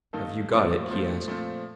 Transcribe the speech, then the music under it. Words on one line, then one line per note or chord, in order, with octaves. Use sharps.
"Have you got it?" he asked.
G2 D#3 A#3 D#4 A4
A#2 F3 A3 C4
A#2 F3 A3 C4
A#2 F3 A3 C4